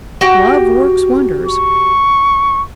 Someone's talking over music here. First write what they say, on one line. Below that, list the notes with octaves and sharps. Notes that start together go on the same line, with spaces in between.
Love works wonders.
F#4 G4 G5
C#6